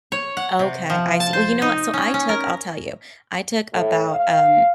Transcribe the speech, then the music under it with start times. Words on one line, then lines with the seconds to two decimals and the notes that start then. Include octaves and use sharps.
Okay, I see, well, you know what? So, I took I'll tell you, I took about, um,
0.12 C#5
0.37 F#5
0.59 C3
0.90 F3
1.20 A5
1.33 C5
1.62 D#4
1.94 C#4
2.14 C#4
2.29 A#4
3.73 A2
4.10 F5